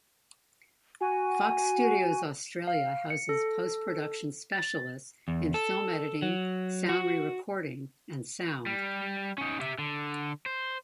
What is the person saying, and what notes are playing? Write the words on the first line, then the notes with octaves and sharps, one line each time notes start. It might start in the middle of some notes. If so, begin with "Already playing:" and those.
Fox Studios Australia houses post-production specialists in film editing, sound re-recording and sound.
F#4 G#5
F5
C#7
A4
A6
E2
A4
F#3
F#4
G3
C#4 D#4
G4 E5
D3
C5